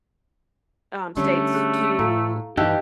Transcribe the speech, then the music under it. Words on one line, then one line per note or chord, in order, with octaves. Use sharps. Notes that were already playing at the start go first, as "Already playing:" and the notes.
um, states to
D3 G3 A3 C#4
G#4 F#6
A2 A4 F5 A#5
G2 E3 D#4 G4 A5 E6 F#6